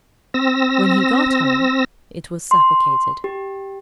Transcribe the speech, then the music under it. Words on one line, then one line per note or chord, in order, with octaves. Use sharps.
When he got home, it was suffocated.
C4 E6 A#6
C6
G4